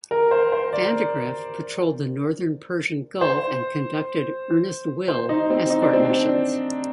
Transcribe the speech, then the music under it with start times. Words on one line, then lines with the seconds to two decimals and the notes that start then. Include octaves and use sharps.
"Vandegrift" patrolled the Northern Persian Gulf and conducted Earnest Will escort missions.
0.11 A#4
0.31 C5
0.52 C5
0.73 D5
3.21 C5
5.08 C5
5.29 D#4
5.50 C4
5.70 D#4
5.82 D4
5.93 C4
6.05 D4